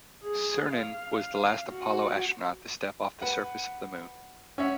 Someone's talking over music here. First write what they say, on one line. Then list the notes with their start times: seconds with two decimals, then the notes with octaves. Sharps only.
Cernan was the last Apollo astronaut to step off the surface of the Moon.
0.24 G#4
0.73 F5
1.70 F#4
3.22 B4 F#5
4.58 C#4 C#5 E5 F#5